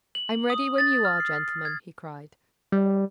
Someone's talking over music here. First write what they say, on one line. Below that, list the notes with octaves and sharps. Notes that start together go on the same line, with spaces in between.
"I'm ready when you are, gentlemen," he cried.
F#7
D#6
A6
F6
C7
G#6
G3